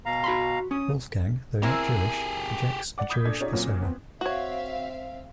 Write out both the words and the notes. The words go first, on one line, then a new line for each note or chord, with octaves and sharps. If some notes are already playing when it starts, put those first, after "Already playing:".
Wolfgang, though not Jewish, projects a Jewish persona.
B2 F5 A#5
F#4 B5 C6
C#4 D#6
C4 E4 G4 G#4 A#4
D5 F#5 D6
B5 D#6 G6 G#6 B6
A#2 D4 A4 G#6
C#4 D#4 F4 G#4 C#5 D5
A#2 F#3 A#3 C4 C#4 F4
B3 C4
C4 F#4 C#5 E5 F5